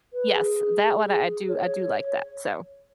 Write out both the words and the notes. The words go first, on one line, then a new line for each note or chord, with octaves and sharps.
yes, that one I do I do like that. So,
B4
G#4
G#4
C#5